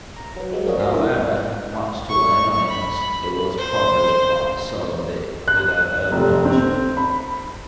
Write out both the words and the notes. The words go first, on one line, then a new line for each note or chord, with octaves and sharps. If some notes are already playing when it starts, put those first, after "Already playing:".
However, much to her annoyance, it was published by Sowerby without her permission.
A#5
F#3 B4
F3 F#3 G#3
A#3 C4 D4 F#4 C#5 D#5
D#5 A#5 C6 B6
A#2 D3 E3 A4
C#6
B5
C5
F#6
F1
C4
B5